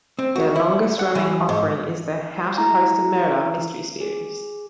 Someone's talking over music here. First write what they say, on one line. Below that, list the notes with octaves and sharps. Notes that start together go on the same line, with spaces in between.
Their longest-running offering is the "How to Host a Murder" Mystery series.
C4
F#4
E4
F#5
E3
G#2
E4 A#5
G#4